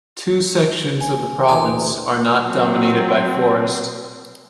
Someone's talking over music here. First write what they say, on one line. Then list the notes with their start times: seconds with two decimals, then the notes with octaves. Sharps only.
Two sections of the province are not dominated by forest.
1.01 G#5
1.48 D2 E3 G#4 D5
2.45 F#3 C4